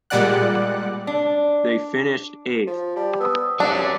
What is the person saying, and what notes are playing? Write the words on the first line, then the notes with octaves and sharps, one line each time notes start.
They finished eighth.
A#2 G3 G#3 D5 F#5 F#6
D4
F3
G3 A5
B3 D#6 E6
C3 F#3 C#4 D4